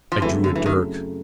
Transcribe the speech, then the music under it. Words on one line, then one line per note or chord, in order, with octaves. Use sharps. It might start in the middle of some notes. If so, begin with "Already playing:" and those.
I drew a dirk.
F3
F#2 C#3 E3 F#3 A3 C4
D3
E3
D#3